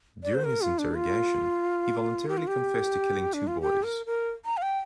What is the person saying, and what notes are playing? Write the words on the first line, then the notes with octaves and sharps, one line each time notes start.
During his interrogation, he voluntarily confessed to killing two boys.
D5
C5
A#4
F4
D4
F4
G4
F4
G4
D4
F4
G4
A#4
A#4
A#5
F5
G5